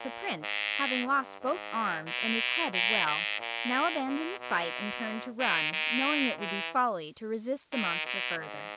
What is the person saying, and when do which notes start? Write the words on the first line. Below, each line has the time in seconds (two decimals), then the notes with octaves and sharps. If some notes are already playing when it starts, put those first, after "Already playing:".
The Prince, having lost both arms, and his head as well, now abandoned the fight and turned to run, knowing it would be folly to resist the monster further.
Already playing: A#2
0.42 G#2
1.07 G2
1.41 G#2
2.07 B2
2.74 A#2
3.07 G#2
3.40 A#2
4.07 B2
4.40 B2
5.40 D#3
5.73 D#3
6.39 E3
7.72 D#3
8.06 B2
8.39 G#2